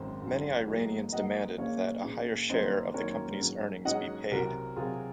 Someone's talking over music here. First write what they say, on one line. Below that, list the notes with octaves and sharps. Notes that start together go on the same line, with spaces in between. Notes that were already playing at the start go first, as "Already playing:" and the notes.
Many Iranians demanded that a higher share of the company's earnings be paid.
Already playing: G#1 F#2 D#3 C5
G#1 F#2 D#3
G#2 F#3 A#3 D#4
G#2 F#3 A#3 D#4 D#5 F#5
A#1 A#2 G#3 C#4 C#5 F5
A#1 A#2 G#3 C#4
F#2 D#3 F#3 A#3 C#4 C5 D#5
F#2 D#3 F#3 A#3 C#4 A#4 C#5
G#2 F#3 C#4
G#2 F#3 C#4 D#5 F#5
C2 C3 F#3 C4 F#4 A#4
C2 C3 F#3 C4 F4 G#4